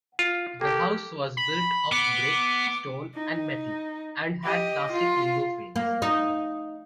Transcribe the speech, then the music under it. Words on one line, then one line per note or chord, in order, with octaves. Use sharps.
The house was built of brick, stone and metal, and had plastic window frames.
F4
A#3 G4 A4
B5
B3 D6
D#4
G4 D#5
F4
A#3
D#4